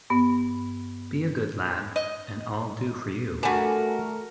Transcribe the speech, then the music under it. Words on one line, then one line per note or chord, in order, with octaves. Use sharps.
Be a good lad; and I’ll do for you.
G2 B3
D#5
G3 A3 D4 F#4 A4 A#4 F#5 G#5